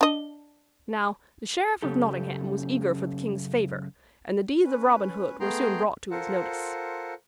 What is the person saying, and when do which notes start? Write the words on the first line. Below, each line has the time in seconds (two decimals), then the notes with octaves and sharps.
Now the Sheriff of Nottingham was eager for the King's favor and the deeds of Robin Hood were soon brought to his notice.
0.01 D4 D#5
1.82 F#2 C#3 G4 A4
4.65 C#4 B4
5.40 A3 B3 G#4 G5 A#5 C6
6.11 F4 A4 A#4 C5 F#5